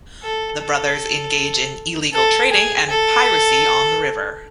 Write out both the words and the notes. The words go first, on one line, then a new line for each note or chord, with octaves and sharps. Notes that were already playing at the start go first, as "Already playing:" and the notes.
The brothers engage in illegal trading and piracy on the river.
A4
A4
A4
G#4
A4